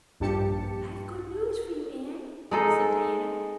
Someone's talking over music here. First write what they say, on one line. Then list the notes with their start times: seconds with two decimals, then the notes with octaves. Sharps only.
"I've good news for you, Anne," said Diana.
0.20 A#1 G2 G4 A5 C#7
2.51 G#3 D#4 A4